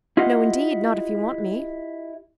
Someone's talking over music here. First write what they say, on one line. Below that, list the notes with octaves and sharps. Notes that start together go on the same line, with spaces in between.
"No, indeed--not if you want me."
E4 F4 G4 D#5 F5 F#5